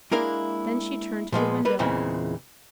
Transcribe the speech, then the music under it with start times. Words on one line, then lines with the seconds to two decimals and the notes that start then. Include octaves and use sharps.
Then she turned to the window.
0.11 G#3 A#3 D4 E4 A#4 F5
1.32 A#2 F3 G#3 B3
1.65 G3 A#3 B4
1.79 E2 A#2 C#3 E3 G#3 C4